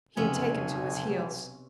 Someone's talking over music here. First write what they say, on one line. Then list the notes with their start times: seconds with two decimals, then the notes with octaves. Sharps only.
He had taken to his heels.
0.17 F#1 B1 F2 C3 B3 C#4 G#5